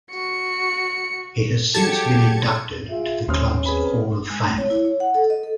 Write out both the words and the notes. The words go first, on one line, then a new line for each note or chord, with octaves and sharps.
He has since been inducted to the club's Hall of Fame.
F#4 C#7
F#3 G#3 G4 A4 A5 G#6 C#7
E4 F4 G#4 E5
D#2 C3 C#4 C6 D#6 F6
C4 G#4 B4 B5
G#3
A3
C#5
E4
C#5
F#5
A4
D#5
A4